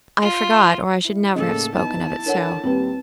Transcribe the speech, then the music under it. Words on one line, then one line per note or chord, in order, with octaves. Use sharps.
I forgot, or I should never have spoken of it so.
F4
E4
A2 C#3 A#3 A4 D#5
B3 D#4 E4 A5
D4 A4 A#4 C#5 F#5
D#2 G3 C4 B4